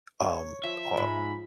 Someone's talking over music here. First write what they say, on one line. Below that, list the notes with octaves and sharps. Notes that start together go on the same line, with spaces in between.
um, uh,
C#5
F3 E5
G#2 B5